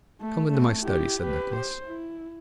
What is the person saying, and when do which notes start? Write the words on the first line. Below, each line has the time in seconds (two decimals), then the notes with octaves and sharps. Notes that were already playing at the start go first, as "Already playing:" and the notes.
"Come into my study," said Nicholas.
0.21 A3
0.50 A3 C4
0.81 E4 G4
1.22 G4 B4
1.55 C5
1.87 E4